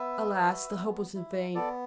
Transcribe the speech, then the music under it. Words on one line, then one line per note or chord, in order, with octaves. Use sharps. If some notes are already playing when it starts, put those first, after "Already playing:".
Alas! the hope was vain.
Already playing: B3 B4 E5
F#4
B3
E4
B3 A4 D5